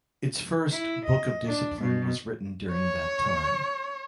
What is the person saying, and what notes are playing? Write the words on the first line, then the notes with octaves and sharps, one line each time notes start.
Its first Book of Discipline was written during that time.
E4
D#5
D4
B2
C#5